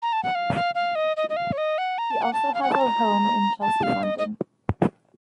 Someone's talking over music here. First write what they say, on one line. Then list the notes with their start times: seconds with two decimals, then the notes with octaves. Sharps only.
He also has a home in Chelsea, London.
0.02 A#5
0.13 A5
0.23 F#5
0.35 F5
0.55 F5
0.75 F5
0.95 D#5
1.17 D#5
1.30 D#5
1.37 F5
1.52 C#5
1.58 D#5
1.78 F#5
1.98 A#5
2.11 A5
2.22 F#5
2.33 A5
2.54 F5
2.63 F#5
2.72 A5
2.80 A#5
3.62 A5
3.83 F5
4.03 D#5
4.18 D#5